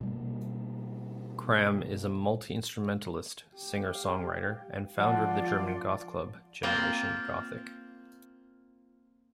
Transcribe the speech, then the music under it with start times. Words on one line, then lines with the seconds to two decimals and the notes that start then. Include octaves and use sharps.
Kramm is a multi-instrumentalist, singer-songwriter and founder of the German goth club, "Generation Gothic".
0.01 B2 G3 A#3
3.57 G4
3.95 F5
4.98 F3 F4 D5 F#5 A5
6.63 A#3 C4 F4